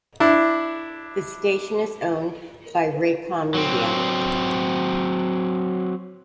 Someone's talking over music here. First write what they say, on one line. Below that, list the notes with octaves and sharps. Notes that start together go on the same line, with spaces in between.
The station is owned by Raycom Media.
D4 E4
F#3 C4